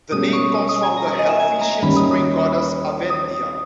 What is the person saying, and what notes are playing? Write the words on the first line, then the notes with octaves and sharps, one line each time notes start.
The name comes from the Helvetian spring goddess Aventia.
B2 G3 C#4 G#4 D#6
C#6
D#6
D#6
G#5
A#5
G#5
D#5
E5
G#5
A#5
D#2 D#3 G3 C#4 B5
D#6
D#6
D#6